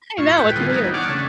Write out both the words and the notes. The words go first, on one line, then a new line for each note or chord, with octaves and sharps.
I know, it's weird.
A2 F4 C#6
A2 B4 G5
D3 G3 F4 G#4 B4
E3 G3 B3 D#4
D4 C#5 F#5 D6 F6
C#3 A3 D4